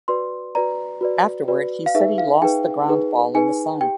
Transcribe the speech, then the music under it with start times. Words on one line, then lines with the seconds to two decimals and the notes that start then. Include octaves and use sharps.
Afterward, he said he lost the ground ball in the sun.
0.08 F#4 B4 D5 C6
0.55 F#4 B4 D5 A#5
1.01 F#4 B4 D5
1.48 F#4 B4 D5
1.86 F5
1.95 D#4 G#4 B4 E5
2.18 F5
2.42 D#4 G#4 B4 G5
2.88 D#4 G#4 B4
3.35 D#4 G#4 B4 G#5
3.81 G4 G5